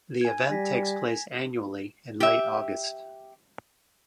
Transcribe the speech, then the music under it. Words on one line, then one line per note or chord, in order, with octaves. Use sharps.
The event takes place annually in late August.
G#5 G#6
G3 A#6 B6
G4 E5